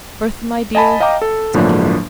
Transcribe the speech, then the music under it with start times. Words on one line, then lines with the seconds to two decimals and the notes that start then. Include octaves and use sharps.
"Bertha, my dear!" said Caleb.
0.75 D#5 G#5 A5 B5
1.00 D#5 F5 G5 A#5 D6
1.22 A4
1.54 G1 A2 F3 F#3 A#3 D4